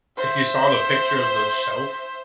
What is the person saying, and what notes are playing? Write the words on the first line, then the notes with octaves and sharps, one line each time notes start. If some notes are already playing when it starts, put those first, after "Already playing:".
if you saw the picture of the shelf
C5 E5